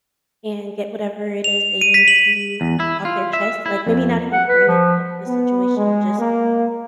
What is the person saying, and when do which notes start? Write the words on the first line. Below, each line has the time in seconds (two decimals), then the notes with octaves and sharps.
and get whatever it is they need to off their chest; like, maybe not even bringing up the situation, just
1.44 F7
1.81 D#7
1.94 B6
2.08 F#7
2.61 E2
2.80 E4
3.05 F4
3.33 E5
3.66 E4
3.87 F2
4.32 F#5
4.48 B4
4.68 F3
5.26 B3
5.77 G#3
6.19 A#3